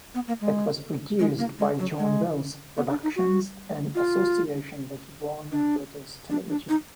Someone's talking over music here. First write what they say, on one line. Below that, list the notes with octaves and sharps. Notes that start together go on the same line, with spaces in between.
It was produced by John Wells Productions, in association with Warner Brothers Television.
B3
A#3
G#3
G#3
A#3
G#3
F#3
G#3
B3
D4
D#4
F#4
F4
D4
D4
D4
D#4